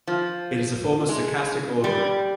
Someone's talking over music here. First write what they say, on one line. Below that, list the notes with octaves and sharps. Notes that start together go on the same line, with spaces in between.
It is a form of stochastic ordering.
F3
G#3
G3